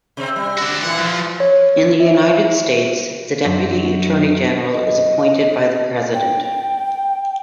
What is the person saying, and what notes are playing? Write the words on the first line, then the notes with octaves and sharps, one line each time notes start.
In the United States, the Deputy Attorney General is appointed by the President.
C3 C4
G3
D4 F#4
A#2 E3 F#5
F3
C#5
E5
F#2 F#3 C4 D4
D#5
G5